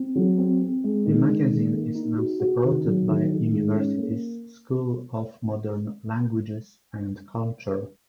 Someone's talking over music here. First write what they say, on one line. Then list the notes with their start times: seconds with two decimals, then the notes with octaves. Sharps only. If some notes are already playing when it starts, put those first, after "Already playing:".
The magazine is now supported by the University's School of Modern Languages and Culture.
Already playing: C4
0.16 F#3
0.38 C4
0.61 C4
0.84 G#3
1.06 D#3
1.29 G#3
1.50 D#3
1.73 A#3
1.95 D#4
2.18 F#4
2.40 F#4
2.63 D#3
2.85 F#3
3.08 D#3
3.30 D#3
3.52 G#2
3.75 C#4
3.98 A#3